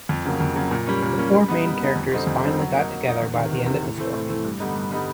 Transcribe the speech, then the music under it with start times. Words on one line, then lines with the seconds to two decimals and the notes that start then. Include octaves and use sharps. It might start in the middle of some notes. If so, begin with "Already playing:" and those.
The four main characters finally got together by the end of the story.
0.09 F2
0.25 C#3 F#3 A#3
0.40 F2
0.55 C#3 F#3 A#3
0.71 A#2
0.87 G3 A#3 C#4
1.02 A#2
1.18 G3 A#3 C#4
1.34 G3
1.48 B3 D#4
1.65 G3
1.80 B3 D#4
1.96 F2
2.12 D3 G3 C4 D#4
2.27 F2
2.43 D3 G3 C4 D#4
2.58 F#3
2.73 A#3 D#4
2.89 F#3
3.05 A#3 D#4
3.20 E2
3.36 C3 D#3
3.51 E2
3.66 C3 D#3
3.82 A2
3.98 E3 A3 C4
4.14 A2
4.29 E3 A3 C4
4.44 G2
4.60 D3 G3 B3 D#4
4.75 G2
4.91 D3 G3 B3 D#4